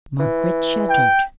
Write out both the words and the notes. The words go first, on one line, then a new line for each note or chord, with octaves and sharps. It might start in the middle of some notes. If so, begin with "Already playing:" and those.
Margaret shuddered.
E3
G5